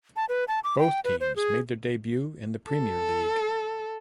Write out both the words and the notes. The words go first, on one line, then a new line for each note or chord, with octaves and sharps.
Both teams made their debut in the Premier League.
A5
B4
A5
D6
G5
B4
C5
G#4
A4